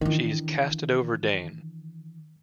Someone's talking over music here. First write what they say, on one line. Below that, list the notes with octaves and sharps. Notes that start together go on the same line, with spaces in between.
She’s cast it over Dane.
D#3 E3 D4